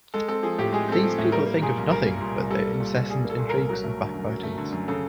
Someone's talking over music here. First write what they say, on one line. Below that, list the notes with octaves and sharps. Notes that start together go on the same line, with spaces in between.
These people think of nothing but their incessant intrigues and backbitings.
G#3 A4
C4 A4
F3 G#4
A2 G4
G#3 G#4
C4 A4
F3
A2
G3 A#4
A#3
A#2 G#4
C2
G3 A#4
A#3
A#2
C2
G3 A4
A#3
A#2
C2
G3 G#4
A#3
A4
A#2
A#4
C2
F#3 A#4
A3
D3
F#2
F#3
A3
D3
F#2
C#3 A4